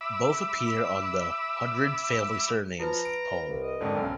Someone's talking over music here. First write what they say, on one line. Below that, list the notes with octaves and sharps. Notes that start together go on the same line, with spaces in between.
Both appear on the "Hundred Family Surnames" poem.
E5 B5 D6 E6
F3 B4 A#5 B5 F6
D7
C2
D#5
F2 G#2 D3 D#3 C5 G5
F#1 B1 F#2 A#4